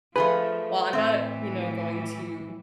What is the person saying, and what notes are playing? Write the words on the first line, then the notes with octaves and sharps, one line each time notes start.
well, I'm not, you know, going to
F3 A3 F4 G#4 B4
A2 E3 C4 E5